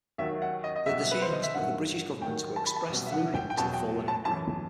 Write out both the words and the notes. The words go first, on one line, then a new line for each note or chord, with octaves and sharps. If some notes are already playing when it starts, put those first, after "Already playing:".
The decisions of the British government were expressed through him to the fallen Emperor.
D#2 D#3 F#3 E5
F#5
D#5
D#5
C2 B2 F#3 E5
B4
C5
D#5
E5
G2 D#3 F#3 F#5
D#2 D#3 F#3 G5
A5
B5
A5
C2 B2 F#3
E5
F#5
G5
G5
E2 B2 F#3 A5
G5
A5
F#2 E3 A5